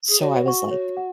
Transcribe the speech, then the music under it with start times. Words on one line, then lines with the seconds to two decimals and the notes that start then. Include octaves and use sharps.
so I was, like,
0.08 G#4
0.21 F#4 C#5
0.46 F#5 C#6
0.71 C#5
0.97 F#5